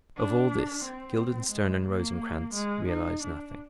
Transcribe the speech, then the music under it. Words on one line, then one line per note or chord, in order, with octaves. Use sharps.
Of all this Guildenstern and Rosencrantz realise nothing.
D4
C4
G#3
A#3
G#3
D#4
D4